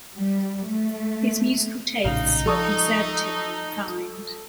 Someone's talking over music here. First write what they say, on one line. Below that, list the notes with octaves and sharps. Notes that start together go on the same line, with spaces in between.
His musical tastes were conservative and refined.
G3
A3
A#1 A2 C#3 D#4 F5
F3 A4 C#6 D#6